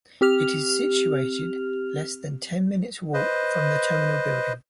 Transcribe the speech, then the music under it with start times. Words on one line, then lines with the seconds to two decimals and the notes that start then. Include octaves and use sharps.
It is situated less than ten minutes walk from the Terminal building.
0.21 C4 G4 F6 F7
3.14 B4 C5 D#5